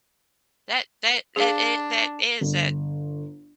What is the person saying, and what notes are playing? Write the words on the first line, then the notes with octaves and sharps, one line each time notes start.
That that it it that is that
D4 G#4 F5
G1